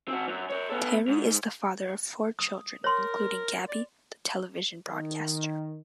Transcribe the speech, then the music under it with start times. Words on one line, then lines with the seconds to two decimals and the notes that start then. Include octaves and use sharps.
Terry is the father of four children, including Gabby, the television broadcaster.
0.08 C4 F#4
0.28 F#2
0.50 A#4 C#5
0.70 B3 A4
1.08 G#2
2.39 D#6
2.84 A#4 C#5 C6
3.69 D5
4.89 D#3